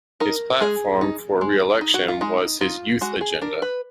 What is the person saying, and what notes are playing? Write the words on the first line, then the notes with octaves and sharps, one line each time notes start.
His platform for re-election was his 'Youth Agenda'.
D#4 A#4
G#3 G#4
D#4
G#3
D#4
F#4
F4
G#3 D#4
D#4 F4
G#3 F#4
G#4
D4 A#4
B4